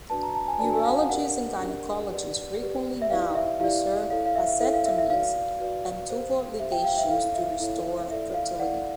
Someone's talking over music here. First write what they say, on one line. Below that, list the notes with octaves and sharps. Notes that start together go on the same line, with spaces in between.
Urologists and gynecologists frequently now reverse vasectomies and tubal ligations to restore fertility.
D4 F#4 B4 D5 A5
A#5
A5
G#5
D4 F#4 B4 D5 A5
G#5
F5
F#5
D4 G4 A#4 D5 F#5
D4 G4 A#4 D5
G4 B4 D5
G4 B4 D5
E5
E4 G4 B4 D5 F5
E5
E4 G4 B4 D5 F5
E4 A4 C#5 F5
F5
E5
E4 A4 C#5 E5
F5
E5
E5
F#4 B4 D5 F5
F#4 B4 D5
G4 C5
G4 C5 E5
G5
F5
E5
E4 A4 C#5 F5
E5
E4 A4 C#5
E4 A4 D5 E5
F5
E4 A4 D5 F#5